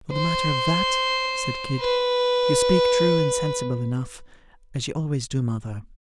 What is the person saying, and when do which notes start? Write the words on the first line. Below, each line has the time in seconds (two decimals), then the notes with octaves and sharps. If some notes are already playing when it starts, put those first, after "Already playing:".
'For the matter of that,' said Kit, 'you speak true and sensible enough, as you always do, mother.
0.12 C5
1.80 B4